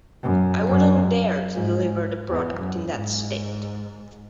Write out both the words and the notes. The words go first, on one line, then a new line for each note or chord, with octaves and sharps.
I wouldn't dare to deliver the product in that state.
F#2
F#2
G#2
E2
F#2
G#2